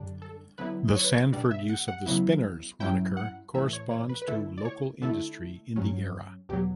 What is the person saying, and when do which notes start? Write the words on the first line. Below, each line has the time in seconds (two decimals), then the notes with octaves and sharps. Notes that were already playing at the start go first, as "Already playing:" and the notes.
The Sanford use of the "Spinners" moniker corresponds to local industry in the era.
Already playing: F#2 D3 G3 D4
0.22 A4
0.58 D3 F#3 B3 E4 B4
0.96 C#5
1.04 B4
1.13 C#5
1.32 B2 G3 D4 D5
1.51 E5
1.69 F#5
1.88 F#5
2.06 C#3 F#3 B3 E4
2.80 G2 F#3 C#4 E4 G5
3.17 F#5
3.54 A2 E3 A3 E5
3.73 C#5
3.91 C#5
4.09 B4
4.22 B4
4.28 D3 A3 E4 A4
4.58 D5
4.65 C#5
5.02 D3 A3 E4 A4
5.76 G2 F#3 C#4
6.49 E2 B2 F#3 G4